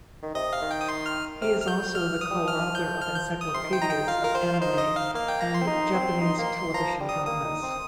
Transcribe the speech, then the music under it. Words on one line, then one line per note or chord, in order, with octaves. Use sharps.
He is also the co-author of encyclopedias of anime and Japanese television dramas.
D#3
C3 D#5
F5
D#3
G5
D#6
C6
F6
C3 F6
F6
G6
F6
D#6
G3
F3 F6
D#3
F3
G6
F6
G6
D#6
C3 C6
D#3
C3 G5
D#4 A#5
G5
F4 F5
A#4
C5
F4
D#4 C5
D#5
F5
A#3 F5
G5
A#5
C6
C4
D#4
C4
D#4
A#3
F3 A#5
G3
D#6
A#3 D#6
D#4
C4